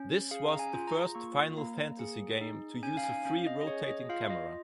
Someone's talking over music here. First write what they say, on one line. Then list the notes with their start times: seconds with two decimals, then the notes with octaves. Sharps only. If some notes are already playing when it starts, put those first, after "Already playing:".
This was the first "Final Fantasy" game to use a free rotating camera.
Already playing: C#4
0.31 G#4 F5
0.48 A#5
0.59 G#5
0.73 F4
0.87 A#5
1.15 A#3 C#6
1.57 A#3 A#5
1.99 G#4
2.41 D#4
2.83 C#4 G#5
2.97 F5
3.04 G#5
3.25 C#4 F5
3.47 D#5
3.61 D#5
3.67 G#4 C#5
3.88 D#5
4.09 F4 F5
4.30 D#5